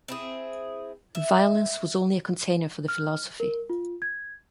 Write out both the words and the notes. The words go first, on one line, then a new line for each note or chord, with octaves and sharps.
The violence was only a container for the philosophy.
C4 E4 G#4
E5
F6
A#4
F4
G#6